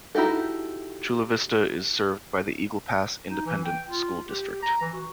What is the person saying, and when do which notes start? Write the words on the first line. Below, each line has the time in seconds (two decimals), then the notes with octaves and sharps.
Chula Vista is served by the Eagle Pass Independent School District.
0.15 D#4 E4 F#4 G4 A4
3.30 D#4
3.46 E3
3.65 G5
3.86 F4
4.26 G4
4.63 A#5
4.81 E3
4.93 F#4